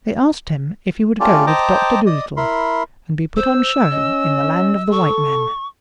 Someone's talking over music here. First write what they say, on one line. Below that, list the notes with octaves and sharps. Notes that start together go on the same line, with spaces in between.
They asked him if he would go with Doctor Dolittle and be put on show in the Land of the White Men.
A3 C#4 F4 G4 D5
C5 D#5 G5 A5 A#5 D6
D5 D#5 D#6
E4 A#4 B5 C6
C5 E6
C#4 D#5
A4 C#6